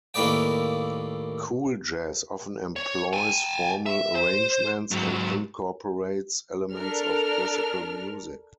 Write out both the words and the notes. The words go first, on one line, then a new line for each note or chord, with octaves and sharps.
Cool jazz often employs formal arrangements and incorporates elements of classical music.
D#2 A2 A#3 B4 D5 G5
C#5
G5 G#5
E5
C5
G#2 F#3
D4 A4 A#4 F6